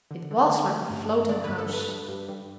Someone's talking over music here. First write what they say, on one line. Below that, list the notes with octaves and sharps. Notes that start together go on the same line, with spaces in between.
It was like a floating house.
D3
D3
D3
A3
G2
A3
D3 D5
G2 B4
A4
G2 B4
G2
G2
G2